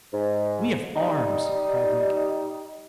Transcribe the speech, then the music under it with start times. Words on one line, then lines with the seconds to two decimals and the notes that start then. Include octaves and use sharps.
"We have arms," cried Lincoln.
0.13 G#2
0.96 G3 D#4